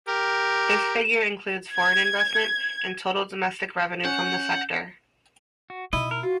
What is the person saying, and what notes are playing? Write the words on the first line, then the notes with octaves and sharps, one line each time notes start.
This figure includes foreign investment and total domestic revenue from the sector.
G4 A#4
G#6
C#4 F#5 G6
F#4
B2 D#4 E4 D#5
A#4
F4 F#4